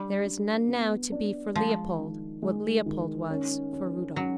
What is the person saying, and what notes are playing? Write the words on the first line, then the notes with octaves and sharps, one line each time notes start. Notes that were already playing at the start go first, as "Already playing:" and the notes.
There is none now to be for Leopold, what Leopold was for Rudolph.
Already playing: G3 D4
D4
B3
D4
F3 G#3
D#3
G#3
D#3
C#4
C#4
F#3 C#4